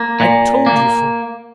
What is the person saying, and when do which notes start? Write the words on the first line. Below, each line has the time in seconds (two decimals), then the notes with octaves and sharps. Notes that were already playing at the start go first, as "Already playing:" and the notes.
I told you so.
Already playing: A#3
0.20 A#2
0.66 A#3